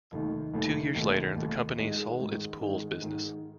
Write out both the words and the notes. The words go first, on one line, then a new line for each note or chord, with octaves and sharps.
Two years later the company sold its pools business.
F1 D#2 D#3
F1 D#2 D#3
F1 D#2 D#3
F1 D#2 D#3
G#2 D#3 G#3
G#2 D#3 G#3
G#2 D#3 G#3
G#2 D#3 G#3